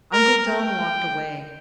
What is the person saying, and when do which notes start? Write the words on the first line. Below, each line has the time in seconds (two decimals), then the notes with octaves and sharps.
Uncle John walked away.
0.13 A#4
0.48 G5